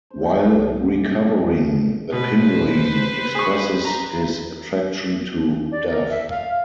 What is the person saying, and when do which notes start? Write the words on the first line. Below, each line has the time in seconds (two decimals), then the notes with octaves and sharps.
While recovering, the Penguin expresses his attraction to Dove.
0.10 C5
0.27 B2 G3 G6
0.43 C2 G#3 A4
0.65 C3 F#3 A#3
0.95 G#2 F3 G3 G4
2.12 B2 B4 C5
3.35 G#4 C#6
3.85 A#5
5.72 D5
5.89 A#4
6.10 E5
6.30 F5